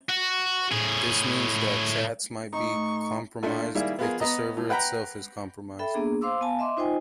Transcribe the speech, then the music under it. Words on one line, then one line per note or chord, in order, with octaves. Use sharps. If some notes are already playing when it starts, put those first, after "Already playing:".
This means that chats might be compromised, if the server itself is compromised.
F#4
A2 G#4
A2 A3 D#4 C#6
A#2 A3 D4
D#3 G3 A#3 E4 G#4
B3 F4 G#4 A#4
B3 D#5 A#5
A2
B4 F#5 G5 A#5 B5
A4 E5 G5 B5
A#3 B3 D4 G#4
C5 F5 C6 D6 E6
B3 F5 G#5 A5
D#5 E5 C6 D6
D#4 F4 C5 D#5 G5 G#5